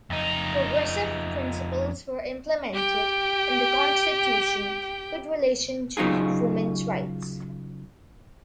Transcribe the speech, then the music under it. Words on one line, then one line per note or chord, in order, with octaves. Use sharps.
Progressive principles were implemented in the constitution with relation to women's rights.
F2 D#4
G4 G5
C#3 F#3 D#4 F4 G#4